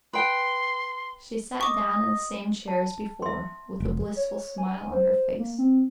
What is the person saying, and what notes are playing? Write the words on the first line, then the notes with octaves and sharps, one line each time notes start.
She sat down in the same chair as before, with a blissful smile on her face.
B4 G5 C6
D#5 C#6 D6
A5
E5 C6
F1
C#5
G#5
C5
A#3
C4